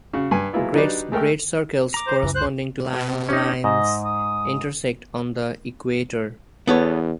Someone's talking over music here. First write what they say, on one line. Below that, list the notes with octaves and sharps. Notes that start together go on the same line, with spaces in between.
Great circles corresponding to parallel lines intersect on the equator.
C#3 F#4
G2 G#5
F#3 G#3 A#3 B3 E4 F4
F#3 D4 D#4 G4 B4 D5
G#3 A3 A#4 G5
A#5 D6
C5
C#2 F#2 E3
C5 F#6
C#4 D#4 G4
G#2 D#5
D#6
E2 B3 A4 C#5